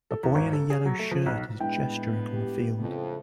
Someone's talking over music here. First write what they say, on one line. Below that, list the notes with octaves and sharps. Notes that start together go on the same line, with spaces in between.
A boy in a yellow shirt is gesturing on a field.
A4
E2
G#1
A4
G#4
F#3
A3
F3
B1
A2 G#3 B3 D4 E4 G5
G4
F2 C#3 A3 C#4